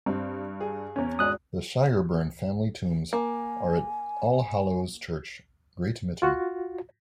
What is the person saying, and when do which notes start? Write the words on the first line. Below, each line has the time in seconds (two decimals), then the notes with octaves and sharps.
The Shireburne family tombs are at All Hallows' Church, Great Mitton.
0.06 G2 C4
0.61 G#4
0.96 E2 C#4
1.19 G#1 G#3 D5 D#6 F#6
3.13 A#3 G#5
6.22 F4 F#4